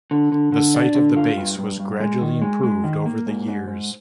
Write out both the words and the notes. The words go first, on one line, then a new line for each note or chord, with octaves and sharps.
The site of the base was gradually improved over the years.
D3
D3
D3
D4
D3
F4
G2
G2
G2
G#3
D#3
G#3
G#3
D#3
A#3
G#2
G#2
G#2